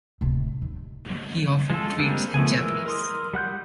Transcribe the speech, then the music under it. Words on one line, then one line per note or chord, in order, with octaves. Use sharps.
He often tweets in Japanese.
D1 C3
D#2
G#3 F4 A4
G3 G#3 A#3 C4 D4
F3 A3 B3 G#5
E3 G#3 A#4 E6
A#4 C6 D#6
G3 F#5 F#6 G6